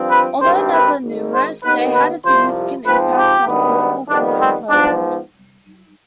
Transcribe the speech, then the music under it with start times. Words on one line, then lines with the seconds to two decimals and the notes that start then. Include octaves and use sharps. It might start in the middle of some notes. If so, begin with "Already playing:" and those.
Although never numerous, they had a significant impact on political thought in Poland.
Already playing: G2 F3 C4
0.10 B4
0.41 G#1 G2 D#3 G3 C4 C5
0.71 B4
1.02 G#1 G#2 D#3
1.33 C5
1.63 D#2 D#3 B3 B4
1.94 B4
2.25 C2 C3 F3 C5
2.86 G#2 F3 C4 B4
3.17 G4
3.47 G#1 G2 D#3 B3
4.08 F2 D#3 G3 B3 D4
4.39 C4
4.69 G#2 F3 B3 D4